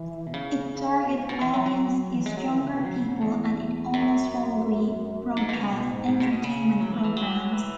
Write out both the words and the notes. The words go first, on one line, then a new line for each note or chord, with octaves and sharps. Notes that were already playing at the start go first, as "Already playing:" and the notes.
It target audience is younger people and it almost solely broadcasts entertainment programmes.
Already playing: E3
B2
C#3
B2
G#2
B2
E3
F#3
F#3
E3
G#3
F#3
E3
C#3
B2
F#3
C#3
G#2
E2
F#2
G#2
B2
E3
C#3
B2
G#2
G#2
B2
B2
C#3
F#3
E3
E3
F#3
E3